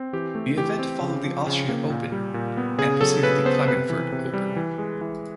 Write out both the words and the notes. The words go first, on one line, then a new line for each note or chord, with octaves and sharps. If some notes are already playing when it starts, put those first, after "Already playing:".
The event followed the Austria Open and preceded the Klagenfurt Open.
Already playing: C4
E3 G4
A3
E3 G4
C4
C#3
F3
C#3
A#3
A#2
G3
A#2
B3
C#3 G#4
F#3 A4
C#3 B4
B3 C5
C3 B4
E3
C3
G3
E3
G#3
E3